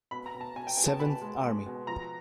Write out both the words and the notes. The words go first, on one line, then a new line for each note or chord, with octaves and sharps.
Seventh Army.
B2 B5
A#5
B2
A5
B2 G#5
G5
B2 G#5
A5
B2 B5
G#3
G#3
B2
F3 A#5